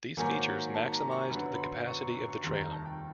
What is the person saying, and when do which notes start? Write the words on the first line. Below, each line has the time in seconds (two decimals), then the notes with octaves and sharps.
These features maximized the capacity of the trailer.
0.17 G#2 D#3 F#3 A#3 G#5
0.74 A5
0.92 A#5
1.11 C#6
1.30 F#2 D3 F#3 B3 B5
1.54 B5
1.59 C6
1.87 C#6
2.01 C#6
2.16 C#6
2.29 C#6
2.43 F1 D#2 D#3 G3 C6
2.57 A#5
2.71 A5
2.86 G5